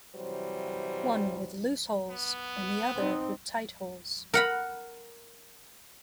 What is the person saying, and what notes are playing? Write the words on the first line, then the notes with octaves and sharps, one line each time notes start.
One with loose holes, and the other with tight holes.
C3 E3 F#3 G3 C5
B3
C4 D#4
A#4 F#5 B5